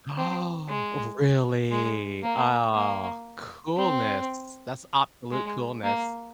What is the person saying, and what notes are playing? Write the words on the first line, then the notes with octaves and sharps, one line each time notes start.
Ah, oh, really? Ah, coolness. That's absolute coolness,
C4
G#3
G#3
A#3
A#3
C4
G#3
A#3